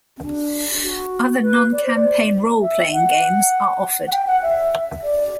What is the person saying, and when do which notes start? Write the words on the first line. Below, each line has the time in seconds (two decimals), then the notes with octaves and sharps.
Other non-campaign role playing games are offered.
0.17 C4
0.23 D4
0.83 F#4
1.42 B4
1.72 D5
1.84 C5
1.96 D5
2.62 E5
2.93 F#5
4.08 F#5
4.12 G5
4.27 F#5
4.42 E5
5.03 D5